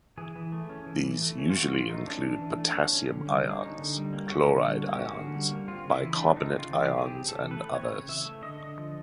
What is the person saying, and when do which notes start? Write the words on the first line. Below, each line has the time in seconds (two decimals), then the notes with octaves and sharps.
These usually include potassium ions, chloride ions, bicarbonate ions, and others.
0.18 E3 G#4
0.36 E3
0.52 A3
0.69 C#4
0.86 E3
1.04 E3
1.21 A3
1.38 C#4
1.50 F4
1.55 E3 F#4
1.72 E3 F4
1.89 A3 D#4
2.06 C#4 D4
2.24 E3
2.41 E3
2.58 A3
2.75 C#4
2.93 C#4
3.10 D3
3.27 G3
3.44 A#3
3.50 D4
3.61 C#4 D#4
3.79 D3
3.97 G3
4.13 A#3
4.30 C#4 F#4
4.47 D3
4.64 G3
4.82 A#3
4.95 G4
4.99 C#4 F#4
5.16 D3
5.34 G3
5.50 A#3
5.68 C4 F4
5.85 C#3
5.91 E4
6.02 E3
6.14 D4
6.19 A3
6.27 D4
6.36 C4 D#4
6.54 C#3 F4
6.71 E3
6.82 G4
6.89 A3
6.98 G#4
7.06 C4 G4
7.22 C#3
7.29 A4
7.40 E3
7.51 B4
7.56 A3
7.75 C4 C#5
7.92 C#3
8.09 E3 E5
8.25 A3
8.42 D3 D#5
8.60 D3
8.78 F3